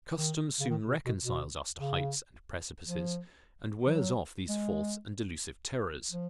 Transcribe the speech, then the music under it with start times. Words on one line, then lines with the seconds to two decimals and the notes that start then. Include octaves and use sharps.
Custom soon reconciles us to heights and precipices, and wears off these false and delusive terrors.
0.16 D#3
0.60 C#3
0.70 D#3
0.88 B2
1.06 B2
1.25 B2
1.78 C#3
2.87 F3
3.87 F3
3.95 F#3
4.49 G#3
6.11 F3